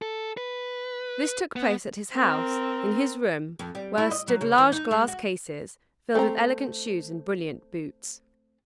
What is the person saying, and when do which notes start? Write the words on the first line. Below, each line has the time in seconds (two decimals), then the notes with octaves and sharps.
This took place at his house, in his room; where stood large glass-cases, filled with elegant shoes and brilliant boots.
0.02 A4
0.37 B4
1.56 B3
2.13 C4 A#4
3.59 F2
3.75 G3
3.98 E4
4.11 D#5
4.28 F#3
4.41 C#3
4.58 E3
4.72 D#4
4.91 G#3
5.08 F#4
6.15 A3 C4 A#5